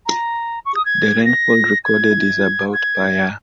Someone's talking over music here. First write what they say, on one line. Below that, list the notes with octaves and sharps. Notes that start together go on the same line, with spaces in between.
The rainfall recorded is about per year.
A#5
C#6
D#6
G#6
A#6
G#6
G#6